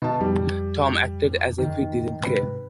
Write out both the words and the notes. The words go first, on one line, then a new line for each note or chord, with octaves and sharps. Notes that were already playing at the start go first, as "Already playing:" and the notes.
Tom acted as if he didn't care.
B2 D#4 A5
F2 G3
D#3
G#2 C3 B4